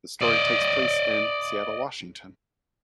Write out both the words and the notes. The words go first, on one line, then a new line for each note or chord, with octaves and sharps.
The story takes place in Seattle, Washington.
D5 D#5